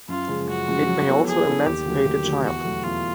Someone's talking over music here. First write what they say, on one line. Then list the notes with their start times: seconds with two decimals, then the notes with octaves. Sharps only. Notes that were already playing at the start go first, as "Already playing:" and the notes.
It may also emancipate a child.
0.09 F#2 F4
0.28 C#3 F3 G#3
0.48 F#2 F#4
0.68 C#3 F3 G#3
0.87 F#3
1.07 B3 E4 A4 C#5
1.27 F#3 G#4
1.47 B3 E4 A4 C#5
1.66 D#2 G4
1.86 D3 F#3 A3
2.05 D#2
2.25 D3 F#3 A3
2.45 E2 F#4
2.64 B2 F#3 A3
2.84 E2 F4